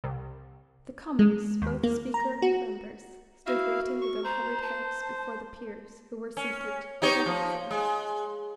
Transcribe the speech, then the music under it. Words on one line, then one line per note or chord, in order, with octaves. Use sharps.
The Commons, both Speaker and members, stood waiting with uncovered heads, before the peers, who were seated, with their hats on.
C2
G#3
D#2
A#3
A#5
F#4
E4 F#4 F5
C#6
C5 A#5
A5
C#4
D#4 G4 C#5
F3
G#3